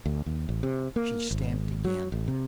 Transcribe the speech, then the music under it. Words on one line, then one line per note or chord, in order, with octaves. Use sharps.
She stamped again.
D2
D#2
A1
C3
A#3
G#1
F#3
A1
C3